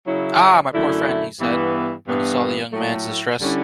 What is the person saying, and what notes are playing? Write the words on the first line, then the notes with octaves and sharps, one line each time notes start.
"Ah, my poor friend!" he said, when he saw the young man's distress.
C#3 F#3 C#4 E4
F#2 D3 A3 E4
G2 E3 B3 E4
G2 E3 B3 D4
A2 F#3 A3
D3 G3 C#4 E4